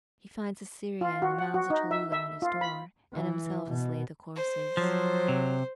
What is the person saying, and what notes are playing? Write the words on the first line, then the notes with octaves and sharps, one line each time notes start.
He finds Assyria and the Mounds of Cholula at his door, and himself has laid the courses.
F4
F#4
F#5
F#4
D#4
E5
E5
F4
B5
E3
B2
C5
F3 F#3
C3